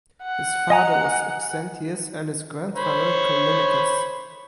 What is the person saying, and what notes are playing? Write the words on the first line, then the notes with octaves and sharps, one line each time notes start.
His father was Auxentius and his grandfather Callinicus.
F#5
D#5 G#5 A#5
C5 C#5 B5